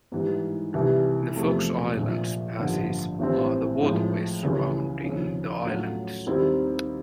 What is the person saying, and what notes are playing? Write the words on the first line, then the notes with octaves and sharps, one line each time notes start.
The Fox Islands Passes are the waterways surrounding the islands.
G#2 E3 G3
C2 C3 E3 G3
E2 C3 F3 A3
A#1 A#2 F3
A1 G2 D3 F3 A#3
A1 A2 E3 G3 C4
A2 F3 G#3
C#2 C#3 E3 G3
D#2 C#3 F3
A2 F#3 A3 C#4 F4
D#2 D#3 G3 C4 E4